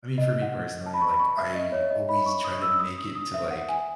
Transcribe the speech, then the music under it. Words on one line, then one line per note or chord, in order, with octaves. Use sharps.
I mean, for me personally, like, I always try to make it to, like,
D#5
F#5
A5
B5
C#6
B5
C#6
E5
D#5
C#5
D#5
B5
C#6
D#6
E6
D#6
D#6
D#6
E5
F#5
G#5